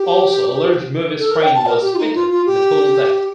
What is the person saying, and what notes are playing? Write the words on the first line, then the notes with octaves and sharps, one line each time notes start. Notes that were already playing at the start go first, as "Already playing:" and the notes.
Also, a large movie screen was fitted on the pool deck.
Already playing: G4
A4
A#4
G5
A5
A#4
G4
F4
D#4
F4
F4
G4